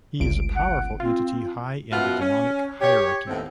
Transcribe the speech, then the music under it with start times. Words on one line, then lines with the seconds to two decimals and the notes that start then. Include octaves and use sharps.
He is a powerful entity high in the demonic hierarchy.
0.20 G1 C#2 D7
0.56 F#5
1.00 C4 F4
1.91 F#2 B2 B3 F4 E5 F#5
2.21 C#4
2.80 G4 C#5
3.28 D#2 A2 B3 C4